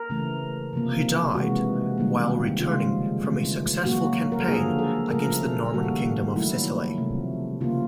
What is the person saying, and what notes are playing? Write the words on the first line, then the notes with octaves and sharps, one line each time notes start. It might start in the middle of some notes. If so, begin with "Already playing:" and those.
He died while returning from a successful campaign against the Norman Kingdom of Sicily.
Already playing: A#4
C#3 E3 A3
C3 F3 A#3
C3 E3 G#3 F#4
D#3 G3 A#3
C#3 F3 G#3 F4
C#3 E3 A3
A#2 F#3 A#3 F#4
A#4
A4
D3 F3 A#3 G#4
A4
C#3 F3 A3 A#4
A4
D#3 G3 A#3 F#4
A#2 F#3 A3 E4
C3 F3 A3
C#3 F3 A#3 F4